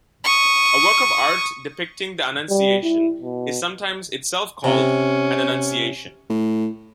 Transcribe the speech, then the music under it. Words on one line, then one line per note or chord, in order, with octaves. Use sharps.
A work of art depicting the Annunciation is sometimes itself called an Annunciation.
C#6 D#6
G3
E4
B2
C3 C#4
A2